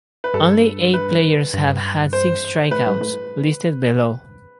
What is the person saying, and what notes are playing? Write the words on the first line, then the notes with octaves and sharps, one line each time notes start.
Only eight players have had six strikeouts, listed below.
B4
G2 A4
B4
G2
C5
A2 B4
G2
A2